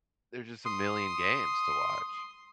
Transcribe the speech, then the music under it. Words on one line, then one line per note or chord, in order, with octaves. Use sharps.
there's just a million games to watch.
C6 D#6